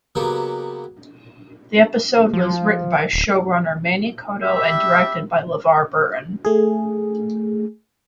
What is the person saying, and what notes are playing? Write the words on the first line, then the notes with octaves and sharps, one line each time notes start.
The episode was written by showrunner Manny Coto and directed by LeVar Burton.
C#3 F#3 A#3 B3 F#4 G4
F3
D1
G3 E5
A3 G#4